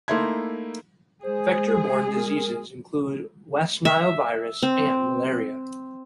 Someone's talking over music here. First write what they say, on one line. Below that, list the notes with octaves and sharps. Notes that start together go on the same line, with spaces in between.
Vector-borne diseases include West Nile virus and malaria.
A3 A#3 D#4 E4 C6 G#6
G#3 G#4 C5
A#4
E5
C4